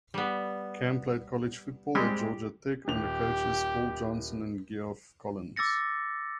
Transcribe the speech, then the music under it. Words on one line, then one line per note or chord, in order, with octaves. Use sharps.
Camp played college football at Georgia Tech under coaches Paul Johnson and Geoff Collins.
G3 B3
G3 G#3 C4 G4
D#1 G4 F7
D6 E6 A6 A#6 C#7